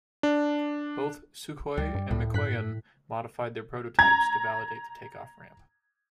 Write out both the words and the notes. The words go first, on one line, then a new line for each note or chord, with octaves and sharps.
Both Sukhoi and Mikoyan modified their prototypes to validate the takeoff ramp.
D4
D2 G3
G2
C#2 A2
G2 F#6 B6
A#5 G#6